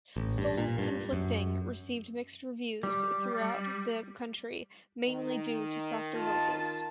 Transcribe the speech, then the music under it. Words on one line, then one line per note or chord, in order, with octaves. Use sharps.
"Souls Conflicting" received mixed reviews throughout the country, mainly due to the softer vocals.
A1
G2
A#2
G2
F#2
G3
D#3
F4 A5